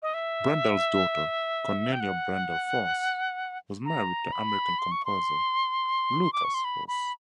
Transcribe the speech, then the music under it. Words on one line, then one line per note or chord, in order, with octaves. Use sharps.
Brendel's daughter Cornelia Brendel Foss was married to American composer Lukas Foss.
D#5
E5
G5
F#5
A#5
B5
C6
C#6
C6
D6
C#6
C6
B5
B5